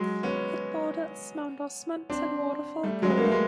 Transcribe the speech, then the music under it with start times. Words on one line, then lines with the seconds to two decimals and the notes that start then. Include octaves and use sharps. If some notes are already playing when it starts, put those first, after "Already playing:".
It borders Mount Osmond and Waterfall Gully.
Already playing: F#3 G#3
0.23 B3 C#4
2.10 C4 D4
2.83 G3 A3
3.02 F#3 G#3
3.10 B3
3.18 A#3
3.25 A3
3.32 G#3